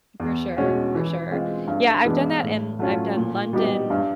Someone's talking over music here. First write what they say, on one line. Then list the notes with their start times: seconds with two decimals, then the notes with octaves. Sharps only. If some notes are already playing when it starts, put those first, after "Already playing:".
For sure. For sure. Yeah, I've done that, and I've done London
0.20 E2
0.57 B2 G#3 C#4 F#4
0.95 E3
1.31 G#3 C4 F4
1.68 G2
2.05 E3 G#3 B3 D4
2.42 A2
2.79 F#3 A3 C#4 F4
3.16 A#2
3.53 G3 B3 D#4 G4
3.90 G2